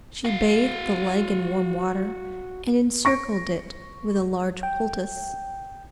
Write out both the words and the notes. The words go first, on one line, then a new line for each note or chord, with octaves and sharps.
She bathed the leg in warm water, and encircled it with a large poultice.
F#4 F5
C#6 A#6 D7
G5